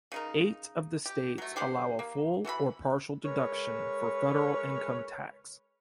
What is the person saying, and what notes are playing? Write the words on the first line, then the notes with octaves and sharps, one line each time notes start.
Eight of the states allow a full or partial deduction for federal income tax.
C#3 D#4 A#4
G4
F#3 A3
B3 D4 G4 C5
A#3
E3 F#4 A4 B5
G#3 A#4 B4 C#5